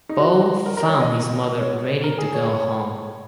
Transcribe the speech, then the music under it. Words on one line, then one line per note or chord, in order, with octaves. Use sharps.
Paul found his mother ready to go home.
D#4
F#4
A#4
A#4
C#5
D#5
C#5
A#4
G#4
C#5
C#5